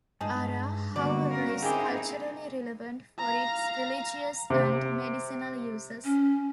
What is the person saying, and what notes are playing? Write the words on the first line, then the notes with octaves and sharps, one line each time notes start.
Ara, however, is culturally relevant for its religious and medicinal uses.
G2 G#3 D#4 G#4 A5
D3 G3 A#3 B3 F#4 D5
C#4 A#4 F5
D#3 C4 D#4 E4 G4 G#4
F5 A#5
C3
C#4